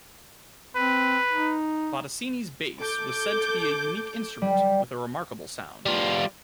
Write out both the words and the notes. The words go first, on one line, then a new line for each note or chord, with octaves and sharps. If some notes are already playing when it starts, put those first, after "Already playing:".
Bottesini's bass was said to be a unique instrument with a remarkable sound.
C4 B4
D#4
A4 D6 G6
G3
G3 F4